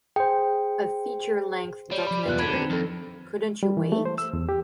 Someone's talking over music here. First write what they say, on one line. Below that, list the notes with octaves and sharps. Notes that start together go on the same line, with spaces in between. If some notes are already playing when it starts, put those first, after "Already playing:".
A feature-length documentary, Couldn't You Wait?
G#4 C5 G5
G3 C#5
F3 B5
E2 B2 F4 B4 F#6
D3 B5 G#6 B6
D#3 C4
F2 F3 A4
G3
E3
A3
C5
E6
E2
G4